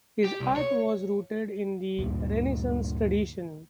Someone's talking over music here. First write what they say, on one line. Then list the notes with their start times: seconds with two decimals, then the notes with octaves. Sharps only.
His art was rooted in the Renaissance tradition.
0.24 G4
0.40 C2
0.56 C#5
1.99 D2 G2 A#2